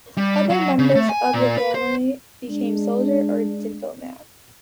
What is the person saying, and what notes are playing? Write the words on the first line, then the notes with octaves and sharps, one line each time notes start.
Other members of the family became soldiers or diplomats.
G3
F#3
C#3
A3
G#5
A#2
B4
C5
G#3 D4